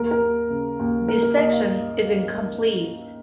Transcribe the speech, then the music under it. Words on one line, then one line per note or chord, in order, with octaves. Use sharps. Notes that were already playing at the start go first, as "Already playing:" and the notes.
This section is incomplete.
Already playing: D#2 A#4
A#4
D#2
C#3
D#2
D#2 A#4
A#4
D#2 D#5
F5